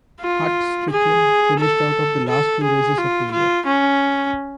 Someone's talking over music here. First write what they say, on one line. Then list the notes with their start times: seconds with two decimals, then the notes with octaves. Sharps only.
Hut Stricklin finished out the last two races of the year.
0.21 F4
0.91 G#4
1.59 A4
2.28 A4
2.63 G#4
2.97 F4
3.32 F4
3.66 C#4